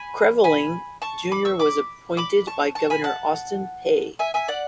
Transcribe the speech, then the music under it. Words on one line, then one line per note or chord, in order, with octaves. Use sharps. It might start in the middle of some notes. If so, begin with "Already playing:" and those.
Creveling, Junior was appointed by Governor Austin Peay.
Already playing: G#5 B5
G#5 B5
A5 C#6
B5 D6
C#6 E6
B5 D6
B5 D6
A5 C#6
A5 C#6
G#5 B5
F#5 A5
E5 G#5
E5 G#5
D5 F#5